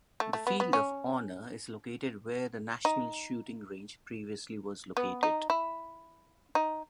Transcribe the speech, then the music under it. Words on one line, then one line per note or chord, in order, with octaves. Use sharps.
The field of honour is located where the national shooting range previously was located.
A3
A3
B3
B3
C#4
D#4
B3
D#4
E4
D#4